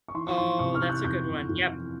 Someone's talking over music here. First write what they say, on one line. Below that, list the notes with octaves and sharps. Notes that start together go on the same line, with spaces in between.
Oh, that's a good one. Yep.
C#6
E3 C6
C#6
E3 C6
C3 C#6
F6
E3 G6
F#6
F2 G6
C3
F2
E3